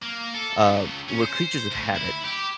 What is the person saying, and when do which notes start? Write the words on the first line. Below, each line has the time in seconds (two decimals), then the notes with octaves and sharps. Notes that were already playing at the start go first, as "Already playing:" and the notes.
uh, we're creatures of habit,
0.02 A#3
0.34 A4
0.60 C#2
1.09 C#4
1.21 C5
1.71 D2
1.95 E4
2.24 G4